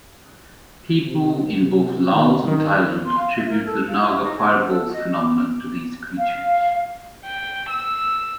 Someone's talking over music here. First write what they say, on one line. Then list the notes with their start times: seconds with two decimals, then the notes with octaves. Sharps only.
People in both Laos and Thailand attribute the naga fireballs phenomenon to these creatures.
1.05 C3
1.63 C3
2.13 D#3
2.47 D#3
3.05 C6
3.17 F5
3.37 E5
3.48 A#4
3.65 A4
3.86 F4
3.99 E4
4.21 D#4
4.36 G#4
4.57 C5
4.69 A4
4.91 D#5
5.17 D6
6.17 F5
7.26 G5
7.70 E6